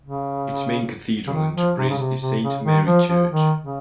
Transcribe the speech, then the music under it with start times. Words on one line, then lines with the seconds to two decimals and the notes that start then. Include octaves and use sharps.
Its main cathedral in Tabriz is Saint Mary Church.
0.03 C#3
1.27 C#3
1.33 D#3
1.55 F3
1.78 C3
1.89 C#3
1.99 C3
2.20 C3
2.42 C#3
2.65 D#3
2.85 F3
3.08 F3
3.30 D#3
3.62 C#3